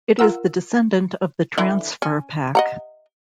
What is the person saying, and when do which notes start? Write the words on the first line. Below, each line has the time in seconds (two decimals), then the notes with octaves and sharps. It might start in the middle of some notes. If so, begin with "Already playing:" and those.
It is the descendant of the Transfer Pak.
0.19 F4 A#4 F#5 E6
1.58 D3 E3 E4
2.02 C#4
2.55 D#5 F#5 A#5